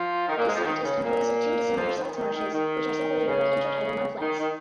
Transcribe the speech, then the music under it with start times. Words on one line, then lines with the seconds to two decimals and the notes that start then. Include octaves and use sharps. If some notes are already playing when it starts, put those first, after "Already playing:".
This site is composed of two dissimilar saltmarshes which are separated by intertidal mudflats.
Already playing: F3 F4
0.28 D#3 D#4
0.36 A#2 A#3
0.46 G#2 G#3
0.55 F2 F3
0.64 D#3
0.84 C#3
1.03 A#2 A#3
1.77 F2 F3
1.96 D#3
2.15 D#3
2.34 D#3
2.52 D#3
3.27 C#3
4.21 D#3
4.40 D#3